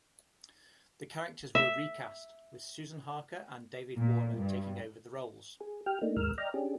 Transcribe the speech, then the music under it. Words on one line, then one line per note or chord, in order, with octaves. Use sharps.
The characters were recast, with Susannah Harker and David Warner taking over the roles.
E5
A#2
G2
G#4
G4 G5 F6
A3 A#3 D4 D#4
D#2 G#2 G#3 A#4 E6 F6
D5 D#5 G5 A#5 F6
C#4 D4 G4 G#4